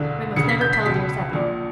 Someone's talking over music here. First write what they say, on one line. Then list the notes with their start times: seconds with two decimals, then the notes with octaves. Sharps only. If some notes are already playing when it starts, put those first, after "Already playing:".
We must never tell dear Seppy.
Already playing: E1 D2 D3
0.36 E1 D2 C#3 C#7
0.49 B6
0.61 G6
0.73 B6
0.85 C#2 B2 B6
1.33 A#1 A#2